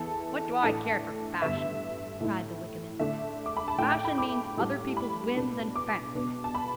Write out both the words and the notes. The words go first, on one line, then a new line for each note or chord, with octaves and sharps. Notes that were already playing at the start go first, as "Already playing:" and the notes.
What do I care for fashion?' cried the Wykehamist. 'Fashion means other people's whims and fancies.
Already playing: E2 E3 B3 E4 A4
A2 E3 A3 D4 A4
G2 D3 B3 E5
A2 A3 E4
D3 A3 D4 E5
D6
B5
A5
A2 A3 D4 G5
G5
B5
D6
A2 G3 D4
B5
B2 B3 D4
D6
B2 B3 D4
A5
B5